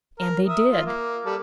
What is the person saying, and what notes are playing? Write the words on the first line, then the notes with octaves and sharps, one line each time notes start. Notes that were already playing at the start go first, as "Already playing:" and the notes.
And they did.
A#4
E5 D#6
F4
A#3
G3 A4